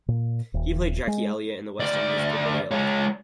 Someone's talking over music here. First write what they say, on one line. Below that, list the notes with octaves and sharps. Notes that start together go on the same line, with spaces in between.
He played Jackie Elliot in the West End musical "Billy Elliot".
A#2
D#1
G#3
D2 D5
G#3 C#5